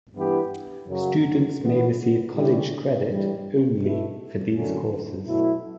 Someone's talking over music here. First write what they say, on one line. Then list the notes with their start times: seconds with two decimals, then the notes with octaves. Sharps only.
Students may receive college credit only for these courses.
0.14 G2 E3 B3 E4 G4
0.87 F#2 C#3 F#3
1.61 A2 E3 B3 F#4
2.34 D3 G3 C#4 E4 G4
3.07 G2 E3 G3
3.80 B2 A3 E4
4.53 F#2 D3 F#3 A3 C#4
5.26 B2 F#3 A3 E4